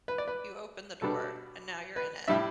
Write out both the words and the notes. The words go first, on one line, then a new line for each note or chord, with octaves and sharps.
You opened the door, and now you're in it.
B4
D5
B4
B2 G3 B3 D4 A4
B4
A2 G3 D4 E5